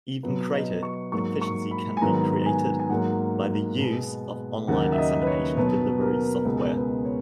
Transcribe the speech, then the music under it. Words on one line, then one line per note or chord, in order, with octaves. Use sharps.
Even greater efficiency can be created by the use of online examination delivery software.
B2 F#3 B3
D#5
C#6
G#2 F#3 A#3 C#6
C#6
B5
G#5
G#2 D#3 F#3 B3 A#5
G#5
G#5
G#2 F#3 A#3 F#5
B2 G#3 B3
D#2 C#3 F#3 A#3 F#5
E5
D#5
B4
C#5
B2 F#3 B3 B4
A#4
C#2 B2 G#3 B3 A#4
B4
C#5